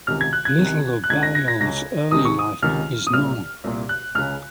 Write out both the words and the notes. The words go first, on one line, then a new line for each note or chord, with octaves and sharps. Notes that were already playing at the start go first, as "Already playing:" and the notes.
Little of Balliol's early life is known.
C#2 C3 D#3 F6
G#6
F#6
G#6
C#2 C3 D#3
F#6
C#2 C#3 G#6
A#6
A#6
A#6
C#2 C#3 A#6
C#2 C3 D#3 D#6
C#6
D#6
C#2 C3 D#3 F6
D#6
C2 A#2 F6
C2 A#2
F#6
C#2 C#3 F6